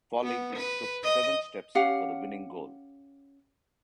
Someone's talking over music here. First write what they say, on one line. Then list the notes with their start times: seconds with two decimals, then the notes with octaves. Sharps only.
Foley took seven steps for the winning goal.
0.24 B3
0.56 B4
1.03 D#5
1.75 C#4 G4 F5 F#5